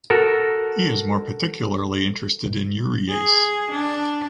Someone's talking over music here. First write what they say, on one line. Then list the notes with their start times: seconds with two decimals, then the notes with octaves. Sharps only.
He is more particularly interested in urease.
0.10 F#4 A4 A#4
3.09 G#4
3.71 D4